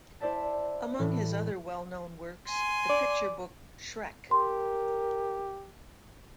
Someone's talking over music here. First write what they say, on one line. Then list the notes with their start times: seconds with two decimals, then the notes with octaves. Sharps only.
Among his other well-known works, the picture book Shrek!
0.20 E4 C5 D5 E5 A5
0.99 A2 E3 A3
2.48 G#5 C6
2.89 D5
4.31 G4 A#4 C6